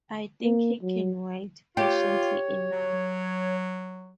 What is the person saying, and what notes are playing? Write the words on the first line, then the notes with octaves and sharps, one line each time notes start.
I think he can wait patiently enough.
A#3
F#3
F4 G4 C#5
F#3